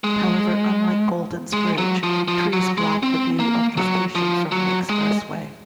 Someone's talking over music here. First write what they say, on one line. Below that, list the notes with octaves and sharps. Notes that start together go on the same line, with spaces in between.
However, unlike Golden's Bridge, trees block the view of the station from the expressway.
G#3
G#3
F#3
F3
F3
F#3
G#3
C4
A#3
F#3
F3
F#3
G#3